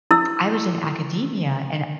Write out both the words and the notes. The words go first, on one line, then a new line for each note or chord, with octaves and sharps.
I was in academia, and
E4 E6